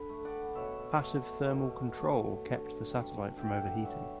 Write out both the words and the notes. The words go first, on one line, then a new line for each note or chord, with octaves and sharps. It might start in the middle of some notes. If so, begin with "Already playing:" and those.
Passive thermal control kept the satellite from overheating.
Already playing: D3 A4 B4
A3
D5 F#5
B2 C#5 E5
A3
B2
A3
D3
G3
D3 E5 G5
G5
D5 F#5
G3 C#5 E5